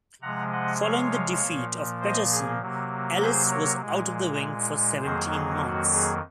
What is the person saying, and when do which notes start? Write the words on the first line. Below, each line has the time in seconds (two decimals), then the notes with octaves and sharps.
Following the defeat of Patterson, Ellis was out of the ring for seventeen months.
0.21 C3 F3 G#3 F#5 A#5
0.52 D#5 F#5
0.82 C#5 F5
1.42 A#2 F3 A#3
2.01 C5 D#5
2.31 G#4
2.61 C3 F#3 A#3
3.21 G#4 C5
3.51 A#4 C#5
3.81 A#2 G#3
5.01 F2 D#3 F#3 A#3 G#4 C5
5.32 G#4
5.61 F#4
5.92 G#4